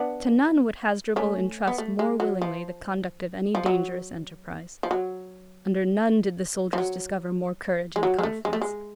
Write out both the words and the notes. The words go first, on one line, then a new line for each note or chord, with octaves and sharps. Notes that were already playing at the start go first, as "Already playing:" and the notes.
To none would Hasdrubal entrust more willingly the conduct of any dangerous enterprize; under none did the soldiers discover more courage and confidence.
Already playing: B3 D4
A3 C#4
B3
A3
G#3
F#3
F3
F3
F#3
F3
F#3
F3
F#3
G#3
F#3
G#3
A3
G#3
A3
G#3